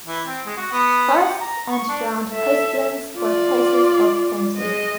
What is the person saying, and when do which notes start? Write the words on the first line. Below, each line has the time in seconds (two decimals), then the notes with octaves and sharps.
Forests and drowned coastlands were places of plenty.
0.07 E3
0.27 C4
0.46 G#3
0.57 F#4
0.72 B3
1.16 F#5
1.29 G4
1.40 A#5
1.72 C#6
1.89 D4
2.31 A4 E5
3.17 F4 D5
4.58 G#3 D#5